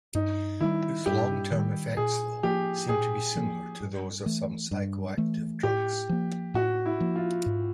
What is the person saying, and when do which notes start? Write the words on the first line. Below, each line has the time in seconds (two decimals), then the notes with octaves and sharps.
Its long-term effects, though, seem to be similar to those of some psychoactive drugs.
0.15 G2 D#4
0.60 D#3 G3 E4
1.06 G2 G4
1.52 D#3 G3
1.97 A#2 G#4
2.43 F3 A#3 G4
2.89 A#2 G#4
3.35 F3 A#3
3.80 G2
4.26 E3 A3
4.71 G2
5.17 E3 A3
5.63 A2 G4
6.09 F3 A#3
6.54 A2 F#4
6.86 E4
7.00 F3 A#3
7.16 F4
7.46 G#2